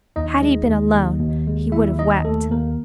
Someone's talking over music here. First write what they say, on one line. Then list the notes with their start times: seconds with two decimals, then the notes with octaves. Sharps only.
Had he been alone, he would have wept.
0.16 D#2 D#4 D#5
0.42 G#3
0.68 D#2
0.94 D#2
1.20 D#2
1.47 G#3
1.72 D#2 E4 E5
1.98 D#3 D#4 D#5
2.25 D#2 A3 A4
2.51 D#2 A#3 A#4